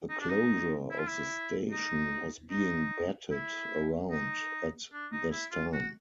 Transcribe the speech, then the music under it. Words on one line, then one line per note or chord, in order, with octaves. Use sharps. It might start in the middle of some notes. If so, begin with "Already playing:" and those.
The closure of the station was being batted around at this time.
D#4
D4
D#4
E4
F4
E4
D#4
D#4
E4
D#4
D4
D#4
E4
F4
F#4